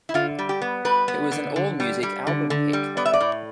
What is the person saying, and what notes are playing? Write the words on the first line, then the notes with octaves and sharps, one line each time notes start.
It was an AllMusic 'Album Pick'.
E4
D3 F4
G3
G4
B3
G3 B4
B3
D3
D3
G3
G3
D3
D3
G3
B3 D5
E5
D5
A2